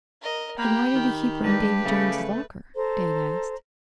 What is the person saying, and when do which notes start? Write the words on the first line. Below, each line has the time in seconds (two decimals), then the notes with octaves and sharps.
'Then why did he keep her in Davy Jones's locker?' Dan asked.
0.21 A#4 D#5
0.58 A#3 G4 G5 B5
0.95 D#3
1.44 G2 G4 B4
1.85 C#3 A3
2.75 A4 C5 A#5